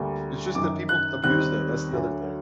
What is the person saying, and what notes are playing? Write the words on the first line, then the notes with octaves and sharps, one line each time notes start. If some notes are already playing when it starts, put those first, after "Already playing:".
It's just that people abuse them, that's the other thing.
Already playing: D2 D3 G3 A#3
F#1 F#2 D#3 D6
F#6
D#2 D#3 G3 C4 F#6
D2 D3 F#3